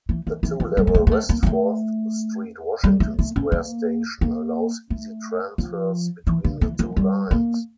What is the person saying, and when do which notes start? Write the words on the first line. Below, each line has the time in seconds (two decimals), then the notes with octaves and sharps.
The two-level West Fourth Street-Washington Square station allows easy transfers between the two lines.
0.09 E3
0.27 E3
0.43 E3
0.60 F3
0.77 G3
0.87 G3
0.95 A3
1.07 A#3
1.11 A3
1.29 A#3
1.43 A#3
1.47 A3
2.84 G3
3.00 A3
3.19 A3
3.36 C#4
3.52 A#3
4.21 A#3
4.90 A3
5.58 F3
6.27 E3
6.44 D3
6.61 E3
6.79 F3
6.97 G3
7.31 A#3